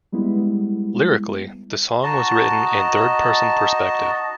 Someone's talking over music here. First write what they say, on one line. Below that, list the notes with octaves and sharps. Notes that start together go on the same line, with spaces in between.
Lyrically, the song was written in third person perspective.
G3 G#3 B3 E4
D#4 F#4 D#5 A5